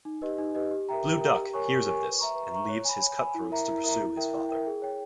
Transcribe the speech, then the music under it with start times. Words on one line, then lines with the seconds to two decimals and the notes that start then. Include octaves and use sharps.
Blue Duck hears of this and leaves his cutthroats to pursue his father.
0.05 D#4
0.22 G4 B4 D#5
0.38 D#4
0.55 G4 B4 D#5
0.71 G4
0.89 A#4 E5 G5 A#5
1.05 G4
1.21 A#4 E5 G5 A#5
1.37 G4
1.54 A#4 C#5 G#5 C#6
1.71 G4
1.87 A#4 C#5 G#5 C#6
2.03 B4
2.19 E5 A#5 C#6
2.35 B4
2.52 E5 A#5 C#6
2.69 C#5
2.85 G#5 B5
3.02 C#5
3.18 G#5 B5
3.35 E4
3.51 A#4 E5 A#5
3.68 E4
3.84 A#4 E5 A#5
4.01 E4
4.17 A#4 E5 G5
4.34 E4
4.49 A#4 E5 G5
4.67 G#4
4.82 C#5 G5